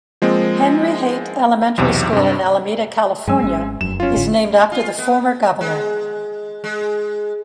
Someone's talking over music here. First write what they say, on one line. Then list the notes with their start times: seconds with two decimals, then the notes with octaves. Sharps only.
Henry Haight Elementary School in Alameda, California is named after the former governor.
0.22 F3 G#3 A#3 C4
1.78 B1 E2 C3
2.13 G2 C3
3.27 G2 F#3 G#3 C#4 G#5 E6
3.42 G#1 C#4
3.81 F1 F#2 E7
4.00 C#4 F4
4.17 G#1 A2 D3
4.72 F4
4.99 B3
5.61 G#3
6.64 G#3